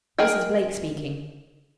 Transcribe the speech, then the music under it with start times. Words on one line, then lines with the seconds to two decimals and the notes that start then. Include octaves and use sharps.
This is Blake speaking.
0.18 G#4 A#4 D#5 G5 G#5